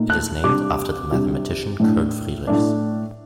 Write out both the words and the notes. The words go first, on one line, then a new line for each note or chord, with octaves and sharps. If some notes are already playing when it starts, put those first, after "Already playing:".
It is named after the mathematician Kurt Friedrichs.
Already playing: A#2 A3 D#4
F#6
C3 G3 D4 D6
C3 G3 D4
A2 A3 D4
A2 A3 D4